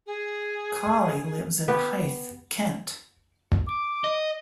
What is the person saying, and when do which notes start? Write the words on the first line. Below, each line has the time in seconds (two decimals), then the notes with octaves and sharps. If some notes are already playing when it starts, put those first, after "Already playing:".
Colley lives in Hythe, Kent.
0.07 G#4
1.68 B3 G4 B4
3.67 D6
4.04 D#5